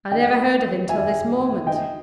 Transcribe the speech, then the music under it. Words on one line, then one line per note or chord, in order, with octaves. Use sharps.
'I never heard of him till this moment.
D#5 G5
E5 G#5
D#5 G5